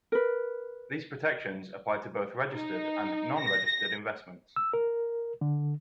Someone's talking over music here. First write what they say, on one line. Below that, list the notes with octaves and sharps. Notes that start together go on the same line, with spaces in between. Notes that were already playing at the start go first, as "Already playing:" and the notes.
These protections apply to both registered and non-registered investments.
A#4 B4
D#4
A#6
E6
A#4
D3